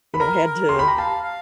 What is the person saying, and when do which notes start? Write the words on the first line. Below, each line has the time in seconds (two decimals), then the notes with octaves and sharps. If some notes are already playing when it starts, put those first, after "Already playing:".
you know, had to
0.14 B5
0.20 A#4 A#5
0.46 A#4
0.69 G4 C6
0.79 B5
0.88 A#5
0.98 F5 A5
1.23 F5